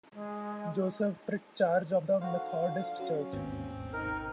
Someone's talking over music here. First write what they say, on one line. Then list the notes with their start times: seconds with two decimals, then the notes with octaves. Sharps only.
Joseph Pritchard of the Methodist church.
0.13 G#3
2.21 D3 D#3 A3 F#4 C5 F5
2.60 D3 F3
2.99 F#3 C#4
3.33 G#1 D#2 B2 C4
3.93 D#3 D#4 A#4